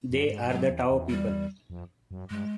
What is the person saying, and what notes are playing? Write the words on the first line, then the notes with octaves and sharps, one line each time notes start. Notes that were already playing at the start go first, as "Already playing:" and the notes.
They are the Tao people.
F#2
A2
G#2
G2
G#2 F#3
E2
E2
G3
F2
F#2
G2 G#3